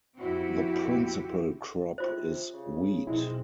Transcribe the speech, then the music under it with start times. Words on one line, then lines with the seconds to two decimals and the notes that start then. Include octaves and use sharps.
The principal crop is wheat.
0.18 F2 C4 E4 F#4 G4
1.98 C3 F4 C5
2.53 C#3
3.07 F1 B1 G#3 C4 E4